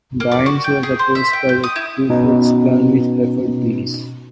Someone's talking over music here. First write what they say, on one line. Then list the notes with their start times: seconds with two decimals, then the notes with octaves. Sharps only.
Byrnes was opposed by the Ku Klux Klan, which preferred Blease.
0.20 A#3
0.32 D5
0.46 F#4
0.64 G5
0.83 G#4
0.99 C5
1.15 E5
1.33 G5
1.49 G6
1.64 D#6
1.76 E4
2.10 B2 C#4 D#4